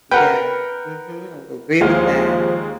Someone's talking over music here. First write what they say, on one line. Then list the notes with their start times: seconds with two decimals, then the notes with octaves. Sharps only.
Yeah. Mhm, I would agree with that.
0.11 A#4 B4 F#5 G5
1.81 D#2 F3 G#3 F5